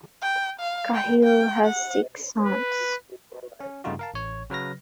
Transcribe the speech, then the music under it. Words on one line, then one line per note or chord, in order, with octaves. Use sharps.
Cahill has six sons.
G5
F5
G5
G5
F#5
B4
C#4
G2 C#3 A3 D#4 F4 F#4
A#4 F5 A5
A1 C#5
C#3 F#3 B4 F6 A#6